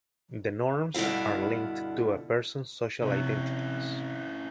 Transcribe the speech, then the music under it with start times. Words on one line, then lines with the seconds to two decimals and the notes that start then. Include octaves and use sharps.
The norms are linked to a person's social identities.
0.94 G2 B2 D3 E4 F5
3.02 C3 C#4 E4